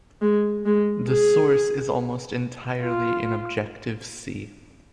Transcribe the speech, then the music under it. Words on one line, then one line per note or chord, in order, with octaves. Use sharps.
The source is almost entirely in Objective-C.
G#3
G#3
G#4
F4